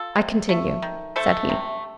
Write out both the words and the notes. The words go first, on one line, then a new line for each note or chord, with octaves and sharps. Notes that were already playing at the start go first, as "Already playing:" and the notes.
"I continue," said he.
Already playing: F4 A4
C3
A3
D#3
A3 A4 C5
C3